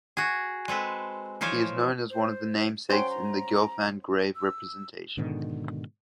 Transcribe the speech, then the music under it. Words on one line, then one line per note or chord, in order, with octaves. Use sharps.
He is known as one of the namesakes in the Gelfand–Graev representation.
F#4 G#4
G#3 C4 A4 B4
E3 F3 C5 C#5 F5
C5
F#3 C#4 C5 G5
A#5
E6
G#2 B2 D3 D#3